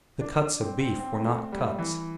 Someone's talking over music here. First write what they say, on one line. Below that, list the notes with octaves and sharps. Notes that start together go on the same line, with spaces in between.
The cuts of beef were not cuts.
D4
D4
C4
C4
C4
A3
G3
E3